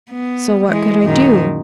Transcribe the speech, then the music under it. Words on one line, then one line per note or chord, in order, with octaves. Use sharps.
So what could I do?
B3
E3 G#3
F#2 A#2 D#3